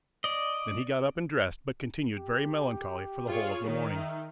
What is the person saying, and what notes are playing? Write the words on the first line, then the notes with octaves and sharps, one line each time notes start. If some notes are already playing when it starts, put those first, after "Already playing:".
Then he got up and dressed but continued very melancholy for the whole of the morning.
D5 D#5
G4
F4 G#4 C#5
D#3 C#5
E5